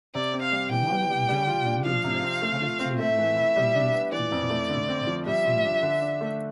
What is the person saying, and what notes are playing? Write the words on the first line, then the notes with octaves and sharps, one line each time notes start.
None of John and Mildred's five children who lived to adulthood had descendants.
C3 D5
C4
F5
G3
E3 G5
B3
G3
G3
F4
D4
F3 F5
C3
C4
A3
F4
C4
A3 E5
E3
E4
G3
D4
B3
E3 D5
F2
A3
D3
C4
F3
G3 E5
F4
D4
D3
D4
A3